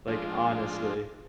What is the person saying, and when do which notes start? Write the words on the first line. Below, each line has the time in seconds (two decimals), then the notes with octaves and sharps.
Like, honestly.
0.08 F3 G#3 D4 F4